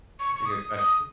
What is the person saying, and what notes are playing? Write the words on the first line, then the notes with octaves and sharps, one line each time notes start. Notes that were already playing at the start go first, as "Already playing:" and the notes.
That's a good question.
C#6
C#6
D#6
D#6